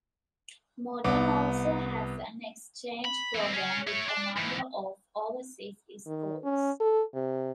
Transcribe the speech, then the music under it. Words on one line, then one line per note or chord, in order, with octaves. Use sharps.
Modern also has an exchange program with a number of overseas schools.
C2 B3 D6
B5
E3 C4
C#4 G#4
E4 C#5
D4
G#2 E3
D#3
C#4
A4
C3